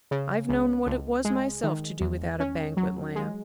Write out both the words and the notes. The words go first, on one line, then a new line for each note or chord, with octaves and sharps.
I've known what it was myself to do without a banquet lamp.
C#3
C#2
C#2
G#3
D#3
E2
C#4
F#3
G#3